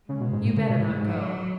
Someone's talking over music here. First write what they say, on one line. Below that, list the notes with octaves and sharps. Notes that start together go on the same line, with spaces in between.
You better not go.
C#3 G#3
B2
G#2
A2
C#3
B2
A2
G#2
F#3